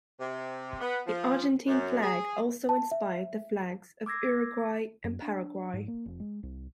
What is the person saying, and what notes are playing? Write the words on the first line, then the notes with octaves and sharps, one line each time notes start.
The Argentine flag also inspired the flags of Uruguay and Paraguay.
C3
B3
F3
F#2
G#4
A5
E5
D6 E6 G#6 A#6 C7
F#2
D4
G#2
A#3
F1
G#3
C2